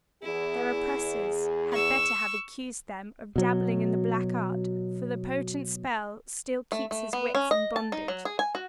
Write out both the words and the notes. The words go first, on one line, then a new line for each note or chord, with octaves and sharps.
Their oppressors had better have accused them of dabbling in the black art, for the potent spell still keeps his wits in bondage.
E2 E4 G#4
C#6 E6
B2 F#3
A3
A3
B3
C#4
D#5
A5
D#4
F#3
G#4
G#5
F#4